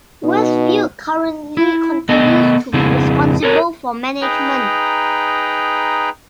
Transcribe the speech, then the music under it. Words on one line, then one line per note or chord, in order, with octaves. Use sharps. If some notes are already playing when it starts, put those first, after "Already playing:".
Westfield currently continues to be responsible for management.
B2 D#4
E4
A3 B3 A4 D#5
F2 C#3 C4 E4 G#4
A4 A#4 C#5
D#4 G#4 B4 G5 A#5